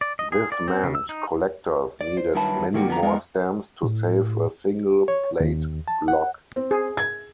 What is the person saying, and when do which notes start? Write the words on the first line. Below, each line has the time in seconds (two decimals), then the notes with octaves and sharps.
This meant collectors needed many more stamps to save a single plate block.
0.01 D5
0.19 D#5
0.32 G#4
0.52 D5
0.68 C4
0.84 C#3
0.95 E6
1.09 D#4
2.01 D5
2.17 C5
2.35 G2 D#3 F#3 E4 B4 A5
2.74 D#3 G3 A#3 F#4 G4
2.88 D3 G3 B3 D4 F#4 A#5
3.03 G#3 B3 D#4 F#4 A#4 D5
3.83 A2
5.08 C#5
5.40 D#2
5.88 A5
6.08 F#5
6.56 C4
6.71 G#4
6.97 G#6